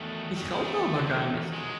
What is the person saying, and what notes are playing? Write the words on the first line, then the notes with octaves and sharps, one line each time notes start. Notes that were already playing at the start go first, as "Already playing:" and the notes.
Ich rauche aber gar nicht!
Already playing: E2 D#3 F#3 A3
E2 D#3 F#3
G#3
A3
E2 D#3 F#3
D#3 F#3 G#3